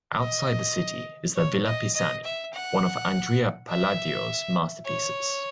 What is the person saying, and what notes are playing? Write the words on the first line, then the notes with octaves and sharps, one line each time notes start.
Outside the city is the "Villa Pisani", one of Andrea Palladio's masterpieces.
D#5
C#5
D#5
D#5
E5
F#5
E5
C#5